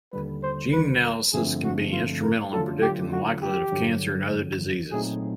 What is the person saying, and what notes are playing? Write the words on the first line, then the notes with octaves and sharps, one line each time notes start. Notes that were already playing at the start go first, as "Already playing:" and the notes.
Gene analysis can be instrumental in predicting the likelihood of cancer and other diseases.
D#2 D3 G3 B4
C5
B4
A#4
G2 D3 F3 A3 C4 G#4
F#4
F4
A#4
D3 F#3 A3 D4 F4 A4
G4
F#4
G4
G2 D3 F#3
A#2 F#3 A3 C4 D#4 G#4